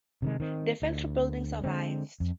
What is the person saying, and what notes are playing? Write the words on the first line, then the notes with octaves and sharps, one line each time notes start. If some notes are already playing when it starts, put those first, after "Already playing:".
The factory building survives.
C3 D#3 G#3
D#3 C4
D2
D3 G#3 C4
F2